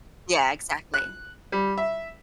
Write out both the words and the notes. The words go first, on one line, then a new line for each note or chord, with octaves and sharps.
Yeah, exactly.
F#6
G3
E5